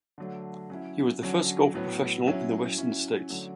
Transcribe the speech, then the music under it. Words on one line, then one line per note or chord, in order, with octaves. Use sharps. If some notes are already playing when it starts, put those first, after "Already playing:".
He was the first golf professional in the western States.
D3 F#3 A3
F#3 C#4 E4
D3 F#3 C#4
A2 F#3 B3
F#3 C#4 E4
F#3 C#4 E4
D3 F#3 A3